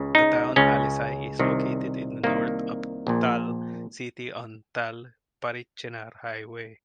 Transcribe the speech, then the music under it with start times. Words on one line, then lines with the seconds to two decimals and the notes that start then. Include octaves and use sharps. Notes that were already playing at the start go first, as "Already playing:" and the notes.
The town Alizai is located in the North of Thall city on Thall-Parachinar Highway.
Already playing: C#2 C#3
0.15 D#4
0.56 C#2 C#3 C#4
1.39 C2 C3 D#3
2.23 C2 C3 D#3 A#3
3.07 A#1 A#2